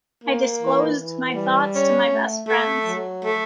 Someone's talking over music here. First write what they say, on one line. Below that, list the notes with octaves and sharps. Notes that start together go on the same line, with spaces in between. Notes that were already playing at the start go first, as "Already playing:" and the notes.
I disclosed my thoughts to my best friends.
A#3
E3
E3
G3
C#4
A3
A3
F#3
A3